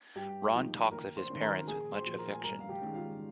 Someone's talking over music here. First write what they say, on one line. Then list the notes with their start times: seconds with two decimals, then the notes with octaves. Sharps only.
Ron talks of his parents with much affection.
0.16 G2 G4 G5
0.53 F3 A#3 D#4
0.91 D#2 A#4 A#5
1.17 C5 C6
1.30 D#3 A#3 C#4
1.42 A#4 A#5
1.67 A#1 G#4 G#5
1.93 C5 C6
2.06 A#2 F3
2.18 A#4 A#5
2.33 G#5
2.44 G2 A#4 A#5
2.60 F5
2.69 G4 G5
2.81 D#3 G#3 C#4
2.94 F4 F5